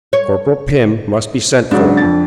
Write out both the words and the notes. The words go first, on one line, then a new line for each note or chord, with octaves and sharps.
Corporal Pim must be sent for.
C#5
G#2 C#3 F#3 D4
F2 A6